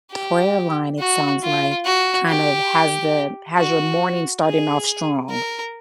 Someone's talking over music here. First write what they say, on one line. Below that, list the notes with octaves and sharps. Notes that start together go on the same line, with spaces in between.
prayer line, it sounds like, kind of, has the has your morning starting off strong
G4
F#4
F4
F#4
G4
F#4
G#4
A#4